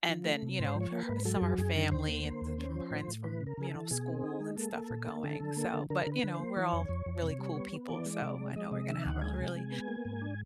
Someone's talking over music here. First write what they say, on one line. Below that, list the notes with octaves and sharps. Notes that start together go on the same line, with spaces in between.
And then, you know, for her some of her family and then some friends from, you know, school and stuff are going, so but, you know, we're all really cool people, so I know we're gonna have a really
F3
A3
C3
G#2 C5
F3
C#5
A#3
B4
G#2
F#3 A4
F#2 G#4
F#2 G#4
D3 A#4
D#2 C5
A#3
A#3
D#2
C#4
F3
A2
A2
E3 B4
C#3
A#4
C#3 G#4
A4
E3
B2 G#4
C4
D#4
G#3
A#3 A4
A#3
A#2
A#3
D3 A4
D3
A#3
D3
D3 A#4
D3
B4
D3
A#3 C5
E3 C#5
F2
F2
F2
C3
G3
B3
B3
E3 D5
G#3
C3
G#3
G#3 D#5
C3 D#5
D#3 E5
D2 F#5
G#3 G#5
C3
G#3
B3
A#3
G#2
D4